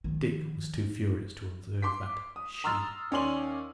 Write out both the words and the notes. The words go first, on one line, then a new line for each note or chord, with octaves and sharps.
Dick was too furious to observe that "she."
D#3 F3
C6 D6 B6
D#6
A#5 C6 E6 F6 A6
D#2 C#4 D5 G#5 C6 F#7